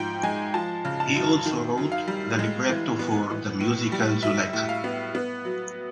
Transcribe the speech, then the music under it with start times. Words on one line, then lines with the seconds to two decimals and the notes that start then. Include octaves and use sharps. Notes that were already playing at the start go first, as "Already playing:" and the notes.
He also wrote the libretto for the musical "Zuleika".
Already playing: G#2 F3 G5
0.23 G#3 G#5
0.54 F3 A5
0.85 C#3
1.00 A5
1.16 F#2
1.46 D#3
1.77 F#2
1.92 F5
2.08 G3
2.39 G#3
2.69 E3
2.99 B3
3.30 E3
3.61 A2
3.92 G3
4.23 F#3 E5
4.53 A2
4.69 F5
4.84 B3
5.15 B3
5.45 F#3